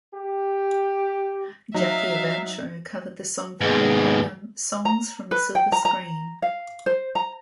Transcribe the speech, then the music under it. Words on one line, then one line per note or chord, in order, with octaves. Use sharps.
Jackie Evancho covered the song for her album "Songs from the Silver Screen".
G4
F#3 D#4 E5 F5
D#2 G#2 B3 G#4
A#5
B4
G5
A#5
A#5
F5
C5
A#5